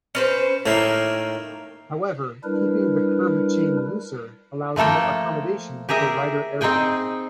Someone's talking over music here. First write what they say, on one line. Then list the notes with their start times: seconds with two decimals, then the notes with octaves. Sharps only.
However, keeping the curb chain looser allows more accommodation for rider error.
0.15 C#4 B4 C5
0.66 A2 D#3 A#3 E4
2.44 G3 D4 E4 A#4 B4
4.76 F3 A3 A#3 A4 G5
5.89 G4 G#4 A#4 E5
6.61 C4 D#4 G#4 G5 G#5